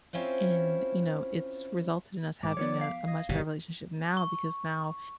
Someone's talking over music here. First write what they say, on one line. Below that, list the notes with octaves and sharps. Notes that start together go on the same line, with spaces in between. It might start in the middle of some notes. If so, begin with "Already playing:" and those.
and, you know, it's resulted in us having a a much better relationship now because now
C4 C#4 E4 F4 C5
G#2 D6
D#3 F3 B3 C#5 D5
F5 B6
D#5 G#6
G1 B2 E4 G4 C#5 D5
C#6